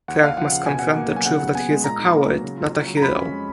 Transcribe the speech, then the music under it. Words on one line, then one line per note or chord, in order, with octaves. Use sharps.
Frank must confront the truth that he is a coward, not a hero.
D#2 F#5
D#2 F5
F3 F#5
C#3 F#5
B2 G#5
B2 F#5
A#3
F#3
G#5
C#3 F#5
C#3
B3 G#5
G#3
A#2 A#5
D#4
A#3
F#3
C#3
F4
C#4
F#3
A#5
F2 B5
C#4
G#3